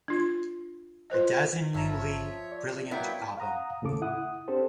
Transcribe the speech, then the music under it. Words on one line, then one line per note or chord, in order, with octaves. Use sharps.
A dazzlingly brilliant album.
D4 F4
F4 B4 C5 D#5
G1 F3 C#5 E5 A5 A#5
D5
F#3 A#3 B3 E4 G5
F5 F#5 A#5 D#6
D#2 A2 C#3 A4 D6
E4 F#5 D#6
C4 D4 G4 A4 C5